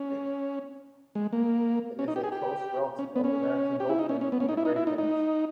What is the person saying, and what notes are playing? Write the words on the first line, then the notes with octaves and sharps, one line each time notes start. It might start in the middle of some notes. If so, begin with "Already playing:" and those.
It is a close relative of the American goldfinch and the gray finch.
Already playing: C#4
G#3
A#3
C#4
D#4
G4
G#4
G4
C#4
B3
C#4
G4
E4
D#4
C#4
C#4
B3
C#4
D#4
E4
D#4
E4
D#4
D#4